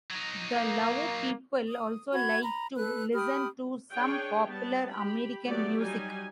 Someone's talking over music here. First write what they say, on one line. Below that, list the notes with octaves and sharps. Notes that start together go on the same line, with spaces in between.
The Lao people also like to listen to some popular American music.
F#3 D#4
A#3
D#6
F#4 B5 G#6
A#5 B5
A4 B4 F#6
G4 B5 D#6 F6
D4 G#4 C#5 G5
G3 B3 A5
G4 B5
F#3 A3 B3 G4 D5
F#3 G3 D#4 G#5